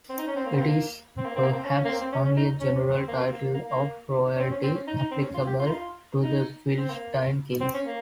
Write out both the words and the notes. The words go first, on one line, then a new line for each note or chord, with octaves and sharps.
It is perhaps only a general title of royalty, applicable to the Philistine kings.
C4
D#4
C#4
C4
A#3
C4
A#3
C4
A#3
C4
A#3
C4
C#4
C#4
A#3
C4
C4
C#4
C#4
D#4
C#4
C4
A#3
C4
A#3
A#3
A#3
C#4
C4
C#4
C4
C#4
D#4
D#4
C4
C#4
F4
G4
F4
D#4
F4
D#4
C4
A#3
C4
C#4
A#3